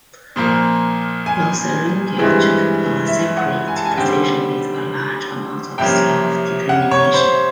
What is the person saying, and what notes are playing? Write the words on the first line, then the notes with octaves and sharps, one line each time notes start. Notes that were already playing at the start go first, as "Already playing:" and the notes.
Lotharingia took a separate position with a large amount of self-determination.
A#2 F3 A#3
G#5
G2 E3 G#3 C4
E5
F#5
G#5
A5
G#5
D#2 D3 G3 C4 G5
C2 C3 F3 A#3 C#4 G5
F#5
C#5
C5